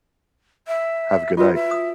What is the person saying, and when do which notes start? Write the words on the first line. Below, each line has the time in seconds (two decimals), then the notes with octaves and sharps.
Have a good night.
0.68 E5
1.37 F4 F#4 B4 D#5
1.55 E5
1.71 D#6